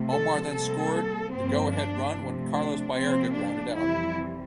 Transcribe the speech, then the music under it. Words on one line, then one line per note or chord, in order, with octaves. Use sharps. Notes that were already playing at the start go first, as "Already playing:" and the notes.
Omar then scored the go-ahead run when Carlos Baerga grounded out.
Already playing: C3 F3 A3
A4
C3 G3 A#3 A4
G2 F3 A#3 C4
D4
C3 F3 A3
D4
C3 F3 A#3 C4
D4
F2 C3 E3 G3 E4